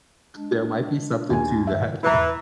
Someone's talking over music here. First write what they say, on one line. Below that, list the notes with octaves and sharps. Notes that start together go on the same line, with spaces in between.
there might be something to that.
G#3 D4
D#2 G#5
D#3 E5
E2 E3 E4 B4 A#5